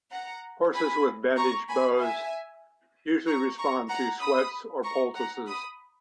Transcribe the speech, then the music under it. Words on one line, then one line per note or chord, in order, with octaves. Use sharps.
Horses with bandage bows usually respond to sweats or poultices.
F#5 A#5
G#5 B5
A#5 C#6
G#5 B5
E5 G#5
A#5 C#6
A#5 C#6
F#5 A#5
B5 D#6
A#5 C#6
F#5 A#5
B5 D#6